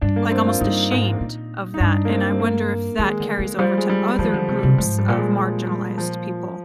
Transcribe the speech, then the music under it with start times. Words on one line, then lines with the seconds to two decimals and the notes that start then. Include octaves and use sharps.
like, almost ashamed of that, and I wonder if that carries over to other groups of marginalized people.
0.01 G2 D4
0.16 A#3
0.31 C4
0.47 F4
0.60 G2 D#4
0.91 G#2
1.21 A#2
1.74 D#4
1.80 G2 D4
2.05 A#3
2.09 C4
2.31 C4
2.40 A#3
2.99 D#3 G#3
3.20 D3
3.39 D3
3.58 F3 G3
3.77 G#3
3.89 G3
4.19 D#3 F3
4.33 D3 F3
4.48 C3
4.59 C3 G3
4.78 G#2 F3
4.98 G3
5.08 A#2
5.17 G#3
5.38 G#3
5.67 G3
5.98 F3